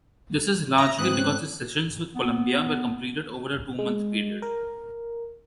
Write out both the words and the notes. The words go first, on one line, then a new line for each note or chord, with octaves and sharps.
This is largely because his sessions with Columbia were completed over a two-month period.
E5 A#5
G#2 B3 C4 D#6 F#6
C#4
B3
G#3
A#4